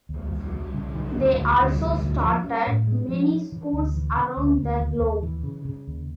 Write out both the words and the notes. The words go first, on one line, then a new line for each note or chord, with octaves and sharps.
They also started many schools around the globe.
D#2
D#2
F#3
C#3
D#3
D2
D2
D2
D2
D2
F3
C#4
A2
G#3
F3
C#4
E3
D2
E3
C#3
D2
D2
D#2
D#2
E3
C#3
C#3
D#2